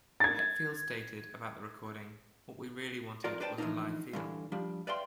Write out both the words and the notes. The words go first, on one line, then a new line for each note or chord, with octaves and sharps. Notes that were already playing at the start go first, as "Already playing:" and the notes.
Hetfield stated about the recording: What we really wanted was a live feel.
G#6 A6
F2 F4 A#4 D5
D4 B4 C5 D5 G5 A5
E3 F3 A3 A#3 D4 D#4
G2 D3 E3
F3 G3 D4
B4 D5 E5 F5 G5 C6